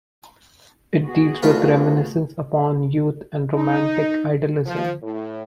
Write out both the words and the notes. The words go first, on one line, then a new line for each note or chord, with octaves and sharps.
It deals with reminiscence upon youth and romantic idealism.
B3 F#4 G#4
C2 A3 F4 B4
D#4
F3
A2